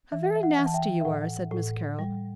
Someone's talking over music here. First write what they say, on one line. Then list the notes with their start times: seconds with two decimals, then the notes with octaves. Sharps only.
"How very nasty you are!" said Miss Carroll.
0.12 E3 E5
0.36 E5
0.43 F#5
0.59 E3
0.66 A5
0.74 E5 G5
1.01 E5
1.05 A2 F#5
1.51 A2
1.99 G3